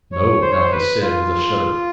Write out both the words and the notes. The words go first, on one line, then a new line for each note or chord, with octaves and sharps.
"No," Malchus said with a shudder.
C#5
C5
C#5
C5
B4
F4